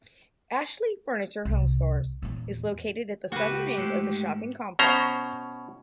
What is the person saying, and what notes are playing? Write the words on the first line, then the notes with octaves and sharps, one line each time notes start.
Ashley Furniture HomeStores is located at the southern end of the shopping complex.
C2
E2 A#2
C#2 A#3 F#4 G4 B4
G#2 G#3 A3
B2 C#4 C5 A#5